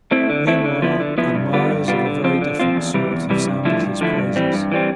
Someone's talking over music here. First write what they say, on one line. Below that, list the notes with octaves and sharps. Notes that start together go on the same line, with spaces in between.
Meanwhile admirers of a very different sort have sounded his praises.
A3 C4 E4
D3
A3 C4 E4
D3
F3 B3 E4
D3
F3 B3 E4
G2
D3 G3 B3 F4
G2
D3 G3 B3 F4
D3
F3 C4 F4
D3
F3 C4 F4
E2
C3 E3 G3
E2
C3 E3 G3
G2
D3 F3 A3 E4
G2
D3 F3 A3 E4
G2
E3 G3 C4
G2
E3 G3 C4